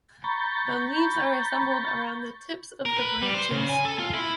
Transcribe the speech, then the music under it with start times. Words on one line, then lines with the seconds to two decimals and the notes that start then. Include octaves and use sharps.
The leaves are assembled around the tips of the branches.
0.24 A#5 B5 C#6 G6 A6
2.85 A#4
2.97 B4
3.22 G3
3.34 C5
3.51 C#3
3.69 G#5
3.85 A4
3.99 F4
4.14 E4